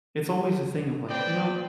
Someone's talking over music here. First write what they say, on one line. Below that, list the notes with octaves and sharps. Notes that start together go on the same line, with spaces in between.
it's always a thing of, like, you know
C4 B4 D5 G5